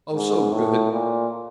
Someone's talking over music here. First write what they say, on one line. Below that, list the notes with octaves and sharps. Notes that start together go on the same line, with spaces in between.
Oh, so good.
G#2
A2
A#2